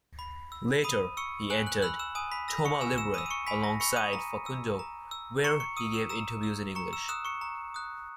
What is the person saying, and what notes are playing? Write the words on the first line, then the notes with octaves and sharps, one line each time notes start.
Later, he entered "Toma Libre" alongside Facundo, where he gave interviews in English.
B5
E6
B5 D#6 D#7
C#6 E6 C#7
G#5 F#6 F#7
F#6 F#7
B5 E6 F#6 F#7
E6 E7
G#5 D#6 D#7
B5 B6
B5 E6 A#6
C#6 C#7
G#5 E6 E7
E6 E7
B5 D#6 E6 D#7
D#7
C#6 C#7
G#5 B5 B6
A#6
B5 C#6 E6 C#7
D#6 D#7
A#5
E6
A#5
E6
A#5 C#6 C#7
C#6 C#7
D#6 E6 D#7
E6 E7
A#5 E6 E7
E6
A#5 C#6 C#7
E6 E7
D#6 E6 F#6 E7
C#6 C#7
A#5
D#6 F#6